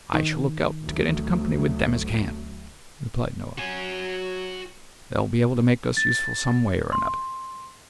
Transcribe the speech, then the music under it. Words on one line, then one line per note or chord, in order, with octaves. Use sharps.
'I shall look out to get into company with them as can,' replied Noah. 'They'll be able to make us useful some way or another.
D#3
D2 F#3 A3
F#3 F#4 G#5
A6
C6